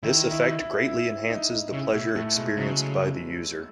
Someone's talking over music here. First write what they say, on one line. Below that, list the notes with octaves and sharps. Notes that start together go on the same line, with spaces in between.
This effect greatly enhances the pleasure experienced by the user.
D#3 E4
E4
E4
E4
D#4
D#4
C#3 E4
B2 E4
A2 A3
B2 G#3
C#3 F#3